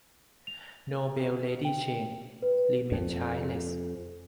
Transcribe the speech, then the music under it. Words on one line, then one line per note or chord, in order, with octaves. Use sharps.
Noble Lady Cheng remained childless.
F7
G5
B4
F2